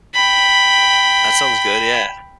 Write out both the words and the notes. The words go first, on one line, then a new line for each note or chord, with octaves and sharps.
That sounds good, yeah.
G5 B5